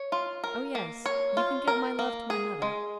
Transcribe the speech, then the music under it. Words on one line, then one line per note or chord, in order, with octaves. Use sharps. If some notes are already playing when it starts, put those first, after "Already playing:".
Oh yes;--you can give my love to my mother.
Already playing: C#5
F4
A#4
A#3
C#5
F4
A#4
A#3
G#4
G#3